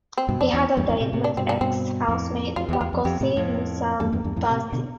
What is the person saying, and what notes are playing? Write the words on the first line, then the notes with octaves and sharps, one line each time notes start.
He had a date with ex housemate Makosi Musambasi.
C4
G2 B2
F2 D4
E2
E2 G2
F2 A2
A2 C3
A2 C3
D4
G2 B2 C4
D4
G2 B2 C4
F2 A2
F2 F4
E2
G4
E2 F4
F2
F2 G4
A2 C3
F2 A2
E2 G2 A4
E2 G2
E2 G2
F2 A2
A2 C3
B2 D3